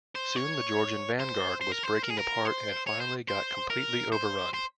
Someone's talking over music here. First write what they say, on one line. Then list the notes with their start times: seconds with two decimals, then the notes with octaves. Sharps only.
Soon the Georgian vanguard was breaking apart and finally got completely overrun.
0.15 C5
0.36 C#5
1.20 C5
1.61 C5
1.72 A#4
1.83 C5
2.03 A#4
2.10 G#4
2.17 A#4
2.45 C5
2.87 C#5
3.00 C5
3.28 C5
3.70 A#4
4.12 C5
4.54 C5